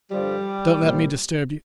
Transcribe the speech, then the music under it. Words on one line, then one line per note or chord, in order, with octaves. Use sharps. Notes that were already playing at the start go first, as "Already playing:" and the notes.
Don't let me disturb you.
G2 D3 F3 G3
A#2 F3